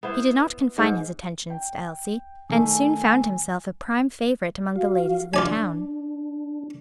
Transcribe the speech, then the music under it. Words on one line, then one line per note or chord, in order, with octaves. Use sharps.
He did not confine his attentions to Elsie, and soon found himself a prime favorite among the ladies of the town.
B3 E4 C5
G#2
G5
D#3 A3 G#5
F#4 F5
D4 F4 D5 G#5